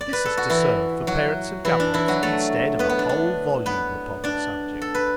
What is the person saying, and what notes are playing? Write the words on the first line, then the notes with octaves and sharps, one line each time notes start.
This is to serve for parents and governors instead of a whole volume upon the subject.
D5
B4
A4
F#4
E3 E4
F#3 F#4
E3 E4
D4
E3 E4
F#3 F#4
A3 A4
B3 B4
B3
D4
D4
B3 B4
D4 D5
A4
B4